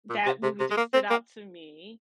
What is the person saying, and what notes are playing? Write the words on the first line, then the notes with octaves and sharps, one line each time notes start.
that movie just stood out to me
A#2
C3
C3
C3
G#3
A#3
C4
A#3